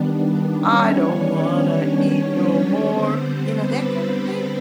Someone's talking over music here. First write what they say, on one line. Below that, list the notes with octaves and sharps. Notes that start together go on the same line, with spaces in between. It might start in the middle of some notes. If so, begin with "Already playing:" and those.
I don't wanna eat no more. You know, that kind of thing?
Already playing: D#3 G3 B3 D4
C#4 C#5
D3 G3 B3 C4 C5
B3 B4